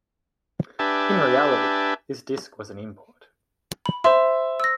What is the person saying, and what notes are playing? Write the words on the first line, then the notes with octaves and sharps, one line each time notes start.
In reality, this disc was an import.
D4 G4 B4 E5 G#5 A5
B5
C5 E5 C6
E6 A#6